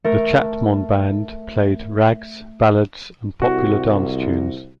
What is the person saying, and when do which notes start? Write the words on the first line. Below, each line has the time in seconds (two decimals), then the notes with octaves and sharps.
The Chatmon band played rags, ballads, and popular dance tunes.
0.04 A3 A#4
3.42 C2 F#4